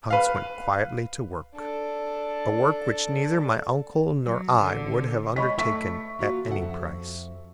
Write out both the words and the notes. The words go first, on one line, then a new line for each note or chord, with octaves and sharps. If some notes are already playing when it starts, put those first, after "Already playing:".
Hans went quietly to work--a work which neither my uncle nor I would have undertaken at any price.
B4 F5
D4 A4
F#3
D3
G#3 C#5 D#5 B5 C#6 B6
A3 E5 C#6 B6
A#3 F4 F#4
C#3 A4 F#5
F2